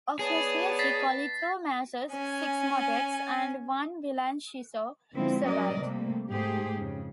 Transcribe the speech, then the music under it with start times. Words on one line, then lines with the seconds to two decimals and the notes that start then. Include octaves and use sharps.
Of his music only two masses, six motets and one villancico survive.
0.19 B3 G#4 C#5 D5 A5
0.79 A6 B6 C7
2.12 C#4 G#5
5.15 D3 F3 G#3 B3 C4 E4
5.44 F#3 G3 C#4 A#4 D5 D#5
5.79 C3 G3 A3 A#3
6.29 G#2 A3 G4 G#4 C5
6.79 F2 C#3